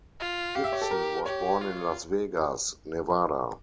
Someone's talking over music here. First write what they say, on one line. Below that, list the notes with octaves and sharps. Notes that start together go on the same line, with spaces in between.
Gibson was born in Las Vegas, Nevada.
F4
G4 F5
E5
C#5
A4
A#4
G4 C#5
F4